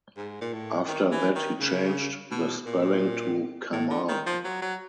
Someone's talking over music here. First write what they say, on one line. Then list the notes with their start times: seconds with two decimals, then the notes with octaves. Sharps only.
After that he changed the spelling to Kamahl.
0.17 G#2
0.41 A#2
0.53 A2
0.88 D#3
1.12 E3
1.36 D#3
1.60 C#3
2.31 B2
2.66 A#2
3.72 A2
3.90 D3
4.09 D#3
4.26 F3
4.44 F#3
4.62 F#3